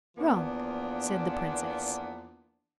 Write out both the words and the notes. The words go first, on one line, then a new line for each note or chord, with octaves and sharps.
'Wrong,' said the Princess.
E2 F3 A#3 B3 D4